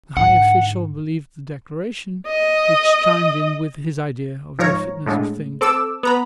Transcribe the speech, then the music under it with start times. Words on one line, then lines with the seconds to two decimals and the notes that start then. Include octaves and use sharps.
The high official believed the declaration, which chimed in with his idea of the fitness of things.
0.17 G#2 D3 F#5
2.27 D#5
4.59 G#2 F3 A#4 C#5 A#5
5.06 A2 D3 G#3
5.61 C4 A4 D6 E6
6.03 B3 A#5 B5